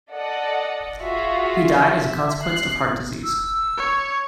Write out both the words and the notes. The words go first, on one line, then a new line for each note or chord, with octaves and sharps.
He died as a consequence of heart disease.
A4 D5 D#5 F#5 A5
F4 F#4 G#4 E5 F5
E5
F#6 C7
E6
C#5